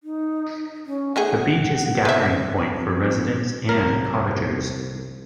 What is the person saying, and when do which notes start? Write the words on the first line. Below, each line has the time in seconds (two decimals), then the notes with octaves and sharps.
The beach is a gathering point for residents and cottagers.
0.03 D#4
0.86 C#4
1.16 D#3 A3 G#4 F#5
2.05 B4 E5
2.76 F2
3.69 C2 A#4